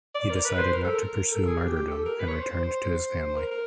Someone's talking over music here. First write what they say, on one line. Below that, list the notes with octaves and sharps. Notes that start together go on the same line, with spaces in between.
He decided not to pursue martyrdom and returned to his family.
D5
A#4
B4
C5
A#4
A4
A#4
A4
G#4
G4
G4
A4
A#4
B4
C#5
C5
C5
C5
A#4
A#4